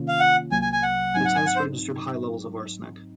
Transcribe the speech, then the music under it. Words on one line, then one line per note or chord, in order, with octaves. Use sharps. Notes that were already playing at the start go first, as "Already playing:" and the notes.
The test registered high levels of arsenic.
Already playing: C3 D#3 A#3 C#4 F4
F5
F#5
C2 C3 F#3 A#3 G#5
G#5
G#5
F#5
G#2 F#3 C4 D#4 G#5
F#5
G#5
F#5
C5